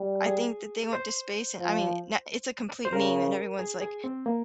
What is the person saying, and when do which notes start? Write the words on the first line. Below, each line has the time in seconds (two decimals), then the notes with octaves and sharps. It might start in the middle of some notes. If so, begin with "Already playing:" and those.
I think that they went to space and I mean, na it's a complete meme, and everyone's like
Already playing: G3
0.27 G#4
0.93 C5
1.60 F3
2.85 C5
2.92 C#3 A#4
3.59 G#4
3.82 G#4
4.04 C4
4.26 A#3